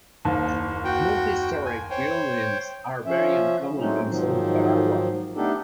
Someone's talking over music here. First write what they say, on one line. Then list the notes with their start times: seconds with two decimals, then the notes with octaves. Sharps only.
Multi-storey buildings are very uncommon on South Tarawa.
0.25 F#1 D#2
0.85 F#4 G5
1.65 G#5
1.90 C5 C#5 G5
3.06 F3 C#4 E5
3.79 F#3 G#3 A3 C4 C#4 D#4
4.08 G#2 D#3 F3 F#3
5.36 A3 B3 D4 D#4 G4 A4